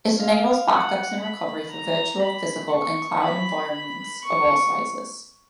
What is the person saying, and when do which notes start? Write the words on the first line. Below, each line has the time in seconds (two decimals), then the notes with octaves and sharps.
It enables backups and recovery for virtual, physical and cloud environments of all sizes.
0.19 F5
0.70 F#5
1.21 B5
1.71 A#5
2.22 B5
2.72 C#6
3.23 B5
3.74 B5
4.24 C#6